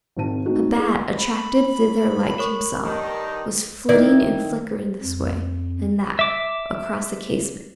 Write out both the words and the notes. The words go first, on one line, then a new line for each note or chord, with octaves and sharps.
A bat, attracted thither like himself, was flitting and flickering, this way and that, across the casement.
G#1 G#2 D#3 C4 A5 D#7
A3 C4 D#4 F#4 A4
E4 G#4 A4
B5
A#4 C#5 C#6
G2 D#3 D#4
D#3 E4 D5
F2
E5 D6